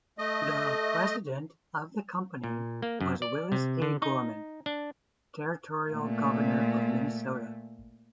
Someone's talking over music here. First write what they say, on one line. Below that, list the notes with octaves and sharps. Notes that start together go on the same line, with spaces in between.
The president of the company was Willis A. Gorman, Territorial Governor of Minnesota.
A3 D#5
A#2
A#3
F#2
D5
C3
D3
D#4
D4
A#2 A3